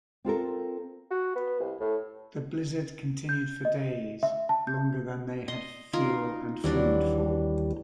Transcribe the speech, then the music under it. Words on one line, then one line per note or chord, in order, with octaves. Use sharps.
The blizzard continued for days, longer than they had fuel and food for.
C4 F4 A4 A#4
F#4
B3
C2
A2
G6
D#5
E5
A5
G6
D#5 C6
D#4 F4 A#4
D#2 E3 F#3 G3 D4